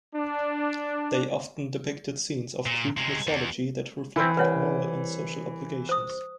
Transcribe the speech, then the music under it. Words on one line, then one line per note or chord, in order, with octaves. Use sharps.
They often depicted scenes of Greek mythology that reflected moral and social obligations.
D4
A#2
C3 G#3
E2
E3 C4 E4
C2 B4 C#5 F#5
C5 D#6